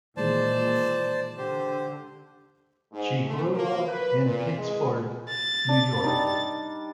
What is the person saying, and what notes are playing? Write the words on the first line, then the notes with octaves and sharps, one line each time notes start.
She grew up in Pittsford, New York.
A#2 D#3 E3 G#3 C5 D5 A5
D3 G4 C5
G#2
A3
A#3
B4
A#2
G#3
A6
D4
G3 D4 D#4